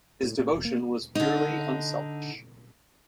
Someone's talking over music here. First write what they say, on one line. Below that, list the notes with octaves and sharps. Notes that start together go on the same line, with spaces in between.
His devotion was purely unselfish.
A2
A#2
F1
A#3
D3 D#4